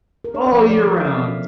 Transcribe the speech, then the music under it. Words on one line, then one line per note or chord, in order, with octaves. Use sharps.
All year round.
A#4
D4 C#5
D5
F3
F3 D5
A4
F3 A#4
F5
E3 E5
C#4